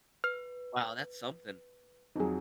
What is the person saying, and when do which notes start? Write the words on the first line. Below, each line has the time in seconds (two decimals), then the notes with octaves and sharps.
Wow, that's something.
0.24 B4 F6
2.16 F2 F#3 D#4 G#4